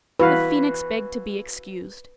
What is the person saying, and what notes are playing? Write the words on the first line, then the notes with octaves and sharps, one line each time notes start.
The Phoenix begged to be excused.
E3 F#4 B4 F5